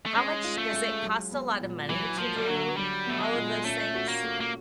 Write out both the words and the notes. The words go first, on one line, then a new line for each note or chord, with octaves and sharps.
How much does it cost a lotta money to do all of those things?
A3
G#3 C#4
F4
A3
G#3
F#3
B3
A#2
E3 F#3
F3 A#3
G3
D3 F#3
F#3 G3
A3 B3
G#3
A#2
A3 C#4
F#4
A#3
A3
A#3